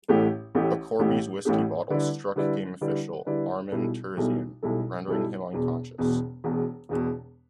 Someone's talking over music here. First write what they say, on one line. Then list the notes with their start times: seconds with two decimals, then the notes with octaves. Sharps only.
A Corby's Whiskey bottle struck game official, Armen Terzian, rendering him unconscious.
0.08 A1 A2 A3 G4
0.55 A1 A2 A3 G4
0.99 A1 A2 A3 G4
1.45 A1 A2 A3 G4
1.90 D3 G3 E4 B4 D5
2.36 D3 G3 E4 B4 D5
2.81 D3 G3 E4 B4 D5
3.26 D3 G3 E4 B4 D5
3.72 B1 B2 G3 E4 A4
4.17 B1 B2 G3 E4 A4
4.62 B1 B2 G3 E4 A4
5.07 B1 B2 G3 E4 A4
5.53 E1 E2 B2
5.98 E1 E2 B2
6.44 E1 E2 B2
6.89 E1 E2 B2